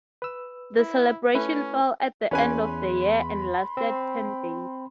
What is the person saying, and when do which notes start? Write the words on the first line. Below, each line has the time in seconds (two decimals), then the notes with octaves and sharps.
The celebration fell at the end of the year and lasted ten days.
0.22 B4 E6
0.78 E4
1.35 A3 C#4 E4 B4
2.31 E2 C#4 B4 G#5 B5 C6
3.77 C4